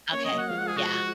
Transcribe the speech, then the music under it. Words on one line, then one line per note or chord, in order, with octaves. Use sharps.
Okay. Yeah.
A#3 C#4 C#5
D#5
F#3 A#3
F#5
F3 G#3 F5
F#5
G#4
F#4